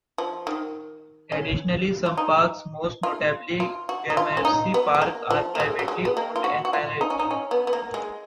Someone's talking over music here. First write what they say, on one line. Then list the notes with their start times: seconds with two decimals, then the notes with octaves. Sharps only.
Additionally, some parks, most notably Gramercy Park, are privately owned and managed.
0.18 F3
0.47 D#3
1.32 C#4
2.06 F4
2.18 D#4
3.03 F4
3.60 F4
3.89 F#4
4.10 D#4
4.17 F4
4.37 C#4
4.45 D#4
4.74 B3
4.95 G#3
5.02 A#3
5.31 F3
5.55 A#3
5.60 G#3
5.79 F#3
5.88 G#3
6.05 B3
6.17 A#3
6.36 F4
6.44 F#4
6.65 F#4
6.73 F4
7.01 D#4
7.10 C#4
7.20 D#4
7.31 C#4
7.51 B3
7.67 B3
7.73 A#3
7.94 G#3